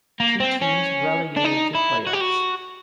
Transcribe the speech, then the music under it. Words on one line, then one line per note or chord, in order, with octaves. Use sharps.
Two teams relegated to Playoffs.
A#3
C4
C#4
D4
D#4
E4
F#4
G4
F#4